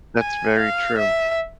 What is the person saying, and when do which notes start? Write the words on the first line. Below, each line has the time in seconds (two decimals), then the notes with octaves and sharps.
That's very true.
0.18 G#5
0.58 F5
0.98 E5